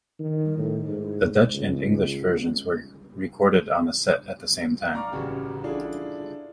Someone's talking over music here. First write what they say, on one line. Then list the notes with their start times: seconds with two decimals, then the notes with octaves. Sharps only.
The Dutch and English versions were recorded on the set at the same time.
0.19 D#3
0.57 A2
0.87 G#2
1.54 C#2
4.93 D5 F5 A#5 C#6 D6 F6
5.12 A1 C#3 F#4 G4
5.64 D4 E4 F4 G#4 A4